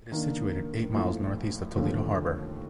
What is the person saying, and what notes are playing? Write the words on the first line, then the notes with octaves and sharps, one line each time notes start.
It is situated eight miles northeast of Toledo Harbor.
D#3 A#3 D4
A#1 A2 F3 A3
F1 D#2 D3 F3